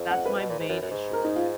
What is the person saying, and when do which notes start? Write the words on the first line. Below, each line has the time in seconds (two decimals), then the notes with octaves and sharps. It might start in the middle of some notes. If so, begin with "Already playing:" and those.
That's my main issue with it.
Already playing: F2
0.11 F#5
0.25 B4
0.40 B2
0.50 A#2
0.60 G#2
0.69 F#2
0.82 F#2
0.91 G#2
1.13 A#4
1.24 D#4
1.36 F4